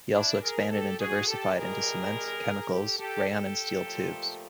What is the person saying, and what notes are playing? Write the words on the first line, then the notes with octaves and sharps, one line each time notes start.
He also expanded and diversified into cement, chemicals, rayon and steel tubes.
D4 E4
G#4 A#4
G4 A4
F#4 G#4
G4 A4
E2 B2 G3 G#4 A#4
G4 A4
G4 A4
G4 A4
A#2 F3 A3